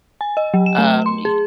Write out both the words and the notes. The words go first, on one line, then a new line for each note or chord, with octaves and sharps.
um, y
G#5
D#5
F#3
E7
A3
C6
G#4